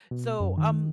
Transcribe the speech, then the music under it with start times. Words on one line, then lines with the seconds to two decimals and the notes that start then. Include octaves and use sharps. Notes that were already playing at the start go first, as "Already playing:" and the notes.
so, um,
0.11 B2
0.40 F#2
0.58 D#3